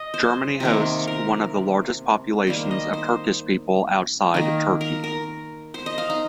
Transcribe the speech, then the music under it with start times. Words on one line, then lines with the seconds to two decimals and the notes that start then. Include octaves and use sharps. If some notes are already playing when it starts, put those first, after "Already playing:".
Germany hosts one of the largest populations of Turkish people outside Turkey.
Already playing: D#5
0.14 C5
0.60 C3 D#3 A#3
1.07 A#4
2.47 D#3 G3 A#3 C5
2.71 D#5
2.93 C5
4.34 D#3 A#3
4.81 A#4
5.04 A#4
5.74 C5
5.86 D#5
5.98 F5
6.10 D#4